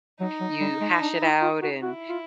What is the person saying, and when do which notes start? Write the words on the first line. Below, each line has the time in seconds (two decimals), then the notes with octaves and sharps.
You hash it out, and
0.20 F#3 D#4
0.41 F#3
0.61 G3
0.81 G#3
1.02 D4
1.22 E4
1.42 F4
1.62 F#4
1.82 E4 F#4
2.09 F4